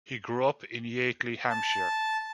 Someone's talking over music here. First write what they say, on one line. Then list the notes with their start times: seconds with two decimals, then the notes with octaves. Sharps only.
He grew up in Yateley, Hampshire.
1.50 A5